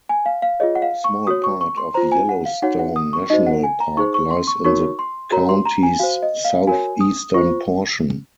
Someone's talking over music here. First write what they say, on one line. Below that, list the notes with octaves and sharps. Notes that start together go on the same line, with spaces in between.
A small part of Yellowstone National Park lies in the county's southeastern portion.
G#5
F5
F5
F4 G#4 C#5 D#5
F#5
F5
C#6
F#4 C#5 D#6
C#6
C#6
C6
F4 C5 A#5
G#5
F#5
F5
D#4 F#4 C#5 F#5
F#5
D#6
C#6
D#4 F#4 C5 D#5
F#5
G#5
A#5
D#4 G#4 C5 C#6
C#6
C6
C#6
D#4 F#4 A#4 C#5 C#6
C6
F#4 A#4 C#5 A#5
C6
A#5
G#5
F#4 C5 F5
D#5
F5
F#4 A#4 C#5 G#5
D#6
F4 C5 C#6